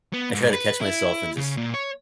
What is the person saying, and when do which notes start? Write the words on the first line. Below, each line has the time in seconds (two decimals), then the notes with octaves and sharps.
I try to catch myself and just
0.13 B3
0.34 G#2
0.53 B4
0.81 E4
1.37 C#3
1.57 A#2
1.74 C#5